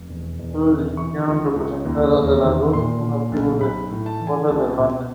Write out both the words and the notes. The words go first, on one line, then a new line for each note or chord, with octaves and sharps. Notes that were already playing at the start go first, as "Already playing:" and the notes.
It is recorded between Lisbon and Madeira.
Already playing: F1
E1
E1
C3
E3 C#6
C#2
C#2
D#2
E1
D#3
A#2 C6
A#2
B1
B1 B5
A2
A5
E3
G#5
C#2 A5
B2